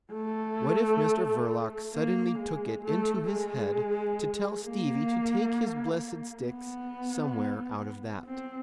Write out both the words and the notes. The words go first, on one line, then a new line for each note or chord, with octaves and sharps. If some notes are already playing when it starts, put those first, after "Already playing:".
What if Mr Verloc suddenly took it into his head to tell Stevie to take his blessed sticks somewhere out of that?
A3
A#3
G#3
A3
G#3
A#3
B3
C4